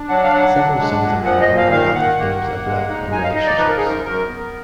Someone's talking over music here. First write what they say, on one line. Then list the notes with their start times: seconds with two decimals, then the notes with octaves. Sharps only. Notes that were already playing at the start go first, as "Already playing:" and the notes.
Several songs on the album are about the themes of love and relationships.
Already playing: D4
0.09 F#3 F#5
0.24 F5
0.33 F#3 F#5
0.56 D4
0.79 G#3
1.02 A#2
1.25 F3 F#5
1.41 D#5
1.49 A#2
1.57 F5
1.72 D#3 F5
1.95 D#3 F#5
2.19 A#3
2.42 A#3
2.65 G#3
2.89 D#4
3.12 D#4 G#5
3.24 F5
3.34 D#4 D#5
3.46 D5
3.58 F3 B4
3.68 A#4
3.77 G#4
3.82 F#2 A#4
4.04 F#2 A#4
4.28 B3